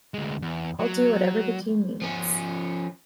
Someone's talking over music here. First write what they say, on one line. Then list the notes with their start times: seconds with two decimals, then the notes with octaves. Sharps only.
I'll do whatever the team needs.
0.14 D2 G#3
0.42 E2
0.79 F#3
2.02 F3 C#4